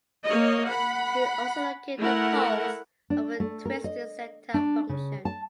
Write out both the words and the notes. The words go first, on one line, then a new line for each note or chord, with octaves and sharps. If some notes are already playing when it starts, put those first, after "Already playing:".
He also located the poles of the twisted zeta function.
A#3 C#5 D#5
F#5 B5
A3 E4 A#4 F#5
D4
A3
A#4
D#5
D4
C#3
A5